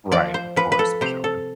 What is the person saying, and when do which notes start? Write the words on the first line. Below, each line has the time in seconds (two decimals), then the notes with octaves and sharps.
Right, of course, I'm sure.
0.12 F3 D5
0.34 C5
0.56 F3 B4
0.72 B4
0.79 A4
1.01 C3 C5
1.24 A4